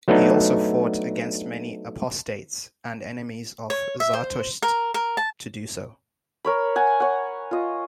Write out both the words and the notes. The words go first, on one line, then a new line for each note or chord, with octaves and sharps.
He also fought against many apostates and enemies of Zartosht to do so.
F#3 A3 B3 D4 D#4
C#5
E5
C5
A#4
A#4
A5
A#4 C#5 B5
F#5 G#5
C#5 F#5
F4 D#5